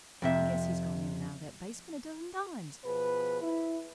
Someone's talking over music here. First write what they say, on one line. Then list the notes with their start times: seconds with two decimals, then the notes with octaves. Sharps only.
I guess he's gone in and out of that basement a dozen times.
0.22 F2 C3 E5
2.84 B2 F3 G#4 B4
3.41 E4